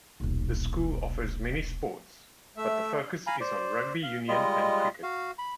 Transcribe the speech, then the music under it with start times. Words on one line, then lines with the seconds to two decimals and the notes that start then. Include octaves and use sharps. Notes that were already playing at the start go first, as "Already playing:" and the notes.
The school offers many sports; but the focus is on rugby union and cricket.
0.20 D#1 B1
2.57 A3 E5
3.27 F5 G#5 A#5 B5
3.40 C5 D5
4.03 F5
4.28 G3 G#3 F4 D#5
5.03 F#4 F5
5.38 B5